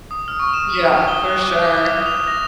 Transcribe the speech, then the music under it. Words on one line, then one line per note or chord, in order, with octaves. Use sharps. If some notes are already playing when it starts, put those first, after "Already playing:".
Yeah, for sure.
D#6
F6
C#6
E7
D#6
G7
F#6
D6
D6
D#6
F7
A#6